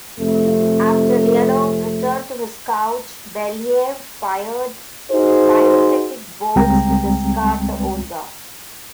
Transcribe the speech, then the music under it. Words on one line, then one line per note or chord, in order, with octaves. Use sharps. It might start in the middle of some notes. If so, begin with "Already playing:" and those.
After Leonov returned to his couch, Belyayev fired pyrotechnic bolts to discard the Volga.
F2 C3 A3
D#4 F#4 G#4 C5
C#2 G3 G#3 C4 G5 A#5